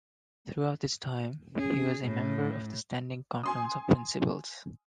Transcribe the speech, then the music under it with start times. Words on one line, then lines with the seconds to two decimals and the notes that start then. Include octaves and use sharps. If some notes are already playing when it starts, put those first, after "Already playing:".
Throughout this time, he was a member of the Standing Conference of Principals.
1.59 C#4 G#4
2.04 A2
3.43 G#5 C6 D#6